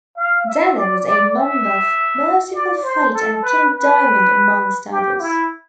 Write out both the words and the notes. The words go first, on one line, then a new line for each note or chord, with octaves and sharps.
Denner was a member of Mercyful Fate and King Diamond amongst others.
F5
E5
D5
D5
E5
D5
C5
A4
B4
B4
G4
E4